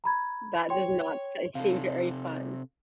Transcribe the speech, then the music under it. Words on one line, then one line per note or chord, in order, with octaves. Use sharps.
That does not can't seem very fun.
A#5 B5 G#6
C#5 G5 C6
C3 A4 F5